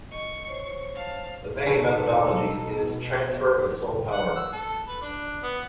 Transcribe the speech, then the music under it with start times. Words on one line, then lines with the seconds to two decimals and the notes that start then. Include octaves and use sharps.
The main methodology is transfer of Soul Power.
0.11 D#5 C#6
0.48 C5 C#5
0.95 F5 A5
1.66 B2 D#4 G#4 A4 B4 C#5
4.12 F#5
4.37 E6
4.53 A4
4.87 B4
5.02 D4
5.43 B3